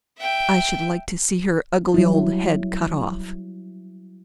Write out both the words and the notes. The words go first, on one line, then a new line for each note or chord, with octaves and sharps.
I should like to see her ugly old head cut off.
E5 G5
F#3 G3 E4